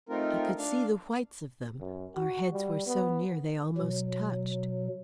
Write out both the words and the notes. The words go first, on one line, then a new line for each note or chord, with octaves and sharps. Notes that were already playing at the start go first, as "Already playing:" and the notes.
I could see the whites of them; our heads were so near they almost touched.
A3 C4 D#4 F4 A#4
D4 F5
F#2
F#4
G3
B3
B2 F#3